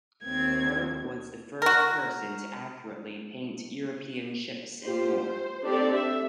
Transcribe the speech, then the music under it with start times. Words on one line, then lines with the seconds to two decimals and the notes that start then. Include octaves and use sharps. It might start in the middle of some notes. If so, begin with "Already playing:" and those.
Herb was the first person to accurately paint Europeans ships and more.
0.24 D#2 C4 G#6
1.62 F#4 A#4
4.84 F4 G4 C5
5.16 C5
5.64 C4 D4 D#4 G4 A4 D5
5.94 E5